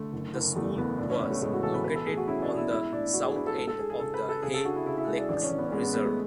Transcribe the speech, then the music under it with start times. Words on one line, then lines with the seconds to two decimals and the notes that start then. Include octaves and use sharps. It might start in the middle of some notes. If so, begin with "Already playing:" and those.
The school was located on the south end of the Hay Lakes reserve.
Already playing: D3 A3
0.13 F#1
0.34 F#1
0.56 E2 A3
0.77 F#1 B3
0.98 A2 D4
1.10 C#4
1.20 A2 B3
1.31 A3
1.42 A2 G#3
1.53 F#4
1.63 E3 A4
1.74 B4
1.84 B2 B4
1.95 A4
2.06 A3 G#4
2.17 F#4
2.28 C#4 E4
2.42 D4
2.49 B2
2.57 E4
2.71 G#3 E4
2.92 A2 D4
3.13 G#3 F#4
3.25 G#4
3.35 D4 B4
3.47 A4
3.57 G#3 A4
3.68 A4
3.78 G#3 G#4
3.90 G#4
3.99 C#3 A4
4.14 B4
4.22 C#3
4.29 A4
4.43 C#3 G#4
4.54 A4
4.65 D4 F#4
4.76 E4
4.86 C#3 E4
4.98 E4
5.08 G#3
5.18 D4
5.29 A1 D4
5.43 C#4
5.51 A1
5.58 B3
5.67 C#4
5.72 G#3 B3
5.83 B3
5.93 G#3 B3
6.05 A3